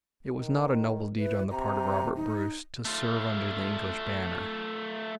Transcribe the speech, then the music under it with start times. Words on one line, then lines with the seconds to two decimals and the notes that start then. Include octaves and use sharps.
It was not a noble deed on the part of Robert Bruce to serve under the English banner.
0.33 D#3
1.18 E4 B4
1.51 C3 A#5
2.16 D#4
2.85 A3 F4